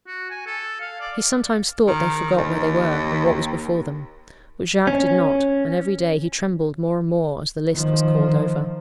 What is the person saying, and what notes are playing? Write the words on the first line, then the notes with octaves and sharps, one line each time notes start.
He sometimes thought they forgot where they were, and what was before them. But Jacques did not, and every day he trembled more and more as the list was called over.
F#4
G#5
A4
F5
D5
D#3
D#2
C#4
D#3 F3